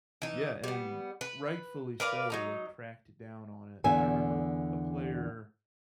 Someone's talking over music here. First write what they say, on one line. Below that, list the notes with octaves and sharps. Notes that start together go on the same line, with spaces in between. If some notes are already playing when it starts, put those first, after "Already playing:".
Yeah, and rightfully so, they cracked down on it. I remember a a player,
E3 D#4
G3 B3
B4
A#4 B4 D5 F5
F#3 D#4 A#5
E2 D3 E5 F5 G#5